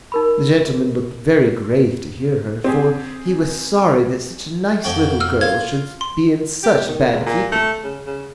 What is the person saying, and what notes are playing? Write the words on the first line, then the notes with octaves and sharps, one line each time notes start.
The gentleman looked very grave to hear her, for he was sorry that such a nice little girl should be in such bad keeping.
D#4 A#4 B5
C4 G4 G#4
F2 F#4 G5
E6 F6
F4 G#6
C6
G4
D#3
C#2
A#2
A3
C#3
C#3